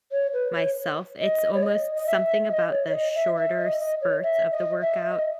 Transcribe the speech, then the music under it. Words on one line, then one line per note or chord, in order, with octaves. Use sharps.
myself. It's almost something about the shorter spurts of the workout.
C#5
B4
C#5
D#5
C#5
D#5
D#5
E5
D#5
C#5
C#5
D#5
E5
E5
D#5
D#5
C#5
E5
D#5
E5
D#5